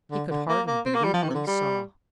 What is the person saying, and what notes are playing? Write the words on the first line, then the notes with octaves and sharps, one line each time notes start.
He could hardly believe what he saw.
D3
D3
A#3
A#3
C4
A#3
G3
F3
D#3
C3
D3
G3